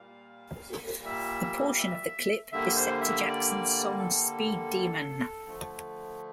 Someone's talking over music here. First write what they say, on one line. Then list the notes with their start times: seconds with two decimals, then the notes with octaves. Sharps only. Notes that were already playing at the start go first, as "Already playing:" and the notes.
A portion of the clip is set to Jackson's song Speed Demon.
Already playing: A#2 G3 A#3 F5
1.05 E5
1.79 E5
2.52 D3 G3 A#3 E5
2.76 C5
3.01 E5
3.26 D5
3.99 A4
5.46 D3 F3 A3